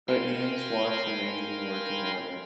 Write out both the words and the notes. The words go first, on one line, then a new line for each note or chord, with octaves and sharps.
But Ian's watch remains in working order.
A#4 F5 G5 G#5 B5 C6